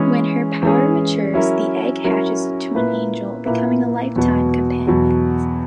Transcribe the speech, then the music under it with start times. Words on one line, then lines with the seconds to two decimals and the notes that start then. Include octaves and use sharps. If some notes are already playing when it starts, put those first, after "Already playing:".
When her power matures, the egg hatches into an angel, becoming a lifetime companion.
Already playing: E3 G#3 C#4 G#4
0.63 E3 G#3 C#4 G#4
1.34 F#3 C#4 E4 A#4
2.04 F#3 C#4 E4 A#4
2.75 A#2 A#3 E4 B4
3.45 A#2 A#3 E4 B4
4.16 E2 B2 F#3
4.87 E2 B2 F#3